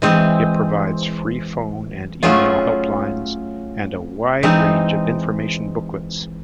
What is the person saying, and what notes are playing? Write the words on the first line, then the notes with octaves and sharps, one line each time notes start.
It provides freephone and email helplines and a wide range of information booklets.
E3 G#3 C4
F#3 A3 C#4 F4 G#4
E3 G#3 C4 D#4